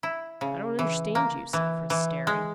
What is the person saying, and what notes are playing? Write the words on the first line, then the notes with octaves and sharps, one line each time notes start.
"I don't understand you," said Chris, staring.
E4
C#3
E3
A#3
E3
E3
G#3